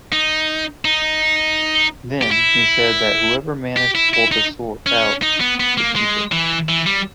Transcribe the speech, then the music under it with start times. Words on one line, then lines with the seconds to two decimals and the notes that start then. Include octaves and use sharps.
Then he said that whoever managed to pull the sword out could keep it.
0.12 D#4
0.85 D#4
2.22 G4
2.31 E4
3.77 G4
3.95 E4
4.14 E4
4.32 D#4
4.86 C#4
5.22 D#4
5.40 B3
5.60 B3
5.77 A#3
5.96 G#3
6.32 E3
6.69 E3
6.86 G3